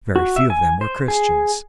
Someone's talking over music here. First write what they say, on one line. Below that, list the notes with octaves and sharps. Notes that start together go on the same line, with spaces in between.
Very few of them were Christians.
F#4
E5
G#5
C5
G#4